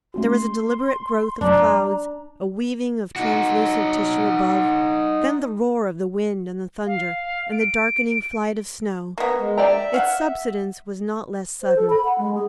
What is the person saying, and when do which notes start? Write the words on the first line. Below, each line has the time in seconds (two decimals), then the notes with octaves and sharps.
There was a deliberate growth of clouds, a weaving of translucent tissue above, then the roar of the wind and the thunder, and the darkening flight of snow. Its subsidence was not less sudden.
0.14 A3 C#4 F#4 C6
1.41 F#2 F#3 D4 A#5
3.16 D#4 F#4
6.86 F5
7.52 D7
9.18 A#3 B3
9.39 G#3
9.58 D5 E5 G5 A#5
9.94 F5 F#5
11.62 C5
11.76 A4
11.90 B5
12.04 F#5
12.18 G#3
12.35 G#4